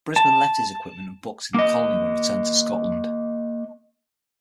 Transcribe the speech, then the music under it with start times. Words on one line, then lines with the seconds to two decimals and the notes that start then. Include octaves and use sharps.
Brisbane left his equipment and books in the colony when he returned to Scotland.
0.16 A5
1.54 A#3 D#5